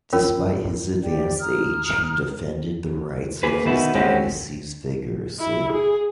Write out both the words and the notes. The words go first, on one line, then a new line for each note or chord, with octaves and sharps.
Despite his advanced age, he defended the rights of his diocese vigorously.
C#4 F4 A#4
G4 D5 G5
A#5 D#6 F6
A#3 G#4 B4
B2 D#3 B3 E4
G#3 C4 C#4 F#4 G4
E4
G#4